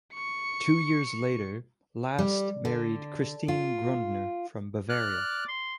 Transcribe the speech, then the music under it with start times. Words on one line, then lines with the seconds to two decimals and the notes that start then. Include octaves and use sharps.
Two years later, Last married Christine Grundner from Bavaria.
0.14 C#6 C#7
2.19 G3
2.65 D3
3.48 F4
4.89 D5 F6 F#6
5.48 C6